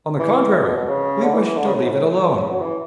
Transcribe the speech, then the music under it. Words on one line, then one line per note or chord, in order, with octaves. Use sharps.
On the contrary, we wished to leave it alone.
E3
A2
B2
B2
C#3
D3
E3
E3
D3
C#3
A2
G#2
A2
B2
C#3
F#3
E3